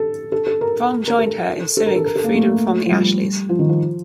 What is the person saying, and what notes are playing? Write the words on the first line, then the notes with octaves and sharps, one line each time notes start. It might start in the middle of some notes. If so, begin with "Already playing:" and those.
Brom joined her in suing for freedom from the Ashleys.
Already playing: A4
A4
A4
A#4
A#4
A4
A4
A#4
A4
A#4
A4
A#3
A3
F3
G3
F3
D#3
F3